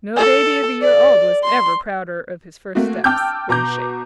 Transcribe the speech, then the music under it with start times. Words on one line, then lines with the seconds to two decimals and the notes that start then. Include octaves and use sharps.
No baby of a year old was ever prouder of his first steps than she.
0.16 A4
0.82 D5
1.44 C6
2.75 A3 A#3 C4 F#4
3.04 G5 A5 D6 E6 F6 G6
3.49 B2 A#5 D6 G6